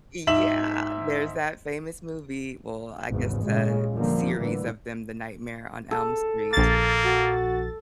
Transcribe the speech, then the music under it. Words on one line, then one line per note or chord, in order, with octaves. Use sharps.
yeah, there's that famous movie, well, I guess uh series of them, The Nightmare on Elm Street,
G#2 E5 E7 F#7
G#1 E2 G#2 C#3
A#2 C#3 G#3
E2 D3 F3 G3 A#3
A2 D3 E3
A4
A#1 A#3 A6
F#4